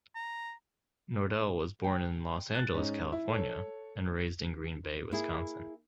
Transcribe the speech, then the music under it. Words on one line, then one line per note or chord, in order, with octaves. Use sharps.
Nordell was born in Los Angeles, California and raised in Green Bay, Wisconsin.
A#5
G5
F#6 A6
G#2 C#4 D#4
E4
A4 C#5
A#3 E4 G#4